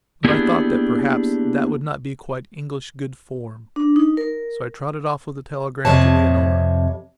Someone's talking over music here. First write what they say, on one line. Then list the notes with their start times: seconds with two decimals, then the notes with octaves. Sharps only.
But I thought that perhaps that would not be quite English good form, so I trotted off with the telegram to Leonora.
0.24 A#3 B3 D4 E4 G4 G#4
3.76 D4
3.96 D#4
4.17 A#4
5.85 F2 C3 C#5 A5